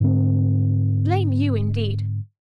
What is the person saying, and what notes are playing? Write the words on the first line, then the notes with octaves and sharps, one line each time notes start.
Blame you, indeed!
G#2 D3 C4